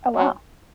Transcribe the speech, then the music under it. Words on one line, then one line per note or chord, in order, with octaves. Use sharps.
Oh, wow.
F#3